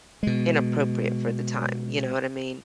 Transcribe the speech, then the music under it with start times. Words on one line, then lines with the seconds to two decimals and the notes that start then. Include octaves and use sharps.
inappropriate for the time. You know what I mean?
0.23 B2 G#3